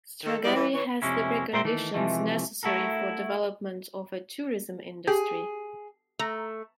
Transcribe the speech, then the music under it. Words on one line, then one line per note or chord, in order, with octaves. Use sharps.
Stragari has the preconditions necessary for development of a tourism industry.
D#3 A4
G3 G#3 E4 D5
E3 G3
E3 C#5
F2 C3 G#3 C#4 E4
A#2 A#4 C5 E5 G5 C6
D#3 E3 A3
C3 E3 F3 G#3 A3
A3 E4 F#4 A4 A#4
G4 G#4
A3 A#5